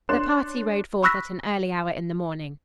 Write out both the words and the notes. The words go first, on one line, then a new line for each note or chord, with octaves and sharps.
The party rode forth at an early hour in the morning.
D4 C#5 C6 F#6 E7
B5 C#6 E6 F#6 A#6 B6